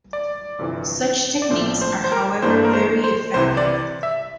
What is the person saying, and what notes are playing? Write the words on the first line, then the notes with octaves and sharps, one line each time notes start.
Such techniques are however very effective.
D5
G1 F2 C3 E3
D5
A#1 A2 F3 A3 C4 C5
C5
C5
A#4
G2 E3 A#3 D4 C5
A#4
C5
C5
C2 C3 E3 C5
D5
E5